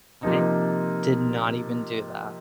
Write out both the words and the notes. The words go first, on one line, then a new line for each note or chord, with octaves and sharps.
I did not even do that.
C3 F3 A#3 D#4